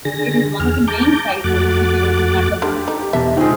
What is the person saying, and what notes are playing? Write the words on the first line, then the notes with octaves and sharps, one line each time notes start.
It is one of the main sights of the city of Macapa.
D3 G#4 A#6
E2 G#4 F6
A5 A#5 D6 G6
F2 A3 F#4 D6 F#6 A6
D3 G4
D#4
E2 B2 E5 A5
D3 G#3 C4 D#4 F4